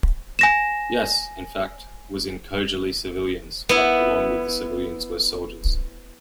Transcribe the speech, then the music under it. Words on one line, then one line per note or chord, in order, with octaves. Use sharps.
Yes, in fact, was in Khojaly civilians, but along with the civilians were soldiers.
G#5 A#6 E7
B3 E4